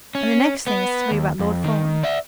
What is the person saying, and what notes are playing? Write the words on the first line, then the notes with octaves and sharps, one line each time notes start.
"And the next thing is to tell you about Lord Fawn."
C#4
B3 B4
D#2
F2
D#3
D5 E5